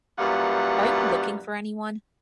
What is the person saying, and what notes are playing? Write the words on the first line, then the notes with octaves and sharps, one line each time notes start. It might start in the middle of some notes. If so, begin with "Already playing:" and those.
Are you looking for any one?
F#2 A#2 E3 G3 F5 F#5